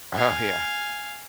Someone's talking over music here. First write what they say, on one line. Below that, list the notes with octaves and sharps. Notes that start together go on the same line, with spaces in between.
Oh, yeah.
F5 G#5